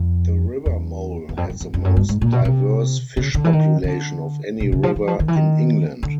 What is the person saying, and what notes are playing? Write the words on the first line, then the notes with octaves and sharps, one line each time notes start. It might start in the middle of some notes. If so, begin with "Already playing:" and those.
The River Mole has the most diverse fish population of any river in England.
Already playing: F2
E2
E2
F2
F#2
E2
F2
F#2
G2
G#2
A#2
B2
C3
C#3
D3
E3
D#3
D#3
D3
C3
C#3
F3
E3
F3
D#3
E3
D#3
D3